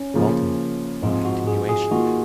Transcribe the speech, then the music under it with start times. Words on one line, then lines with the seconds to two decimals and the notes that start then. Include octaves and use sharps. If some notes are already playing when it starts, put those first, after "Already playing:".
Walton, in continuation.
Already playing: C#4
0.14 C#3 F3 A#3
1.02 G#2 F3 G#3 C4 F4
1.25 F#4
1.47 G#4
1.69 G#4
1.91 D#3 A#3 F4 F#4